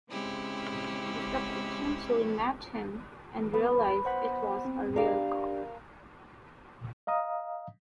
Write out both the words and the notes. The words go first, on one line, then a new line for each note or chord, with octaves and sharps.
She subsequently met him and realised it was a real call.
C#3 G#3 C4 C#4 E4 G4
B3
C5 F#5 B5
C4
D4 G4 A#4 D5 F5
D#5 F5 A#5 D#6